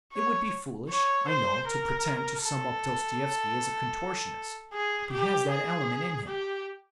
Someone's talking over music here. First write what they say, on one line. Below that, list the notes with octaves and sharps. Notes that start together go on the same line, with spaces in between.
It would be foolish, I know, to pretend to sum up Dostoevsky as a contortionist; but he has that element in him.
C#5
C#5
C5
A#4
A4
G#4
G4
G#4
G4